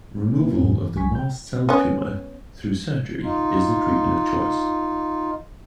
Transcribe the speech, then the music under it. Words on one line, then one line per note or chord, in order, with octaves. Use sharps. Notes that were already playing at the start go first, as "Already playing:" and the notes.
Removal of the mast cell tumor through surgery is the treatment of choice.
A#3 E4 B4
E2 G#2 B2 G#3 B3
G2 E3
C2 F3 G#3 G#5 C#6 B6
G5 G6
B3 C#4
D#4 F4